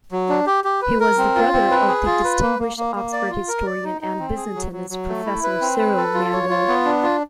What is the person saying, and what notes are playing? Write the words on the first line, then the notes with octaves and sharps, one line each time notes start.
He was the brother of the distinguished Oxford historian and Byzantinist Professor Cyril Mango.
F#3
D4
G4
G4
B4
A#4
C4
F4
C4
B4
G#4
F4
B4
A#3
A#3
A#3
A#3
D5
F4
A#4
D5
D#4
D#4
C4
G#4
F#3
F#3
F#3
A3
E4
B4
C4
B4
A4
F4
C#5
F4
B3
D4
F4